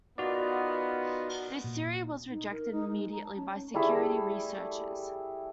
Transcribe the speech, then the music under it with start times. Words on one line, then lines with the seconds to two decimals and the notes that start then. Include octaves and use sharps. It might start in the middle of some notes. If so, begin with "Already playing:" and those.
This theory was rejected immediately by security researchers.
0.18 B3 D#4 F4 F#4 A#4 D5
1.64 A#2
2.30 D#4
2.51 A#4
2.72 D#4
2.92 G#3
3.11 A#5
3.23 A5
3.36 C#4
3.74 G3 A3 E4 G#4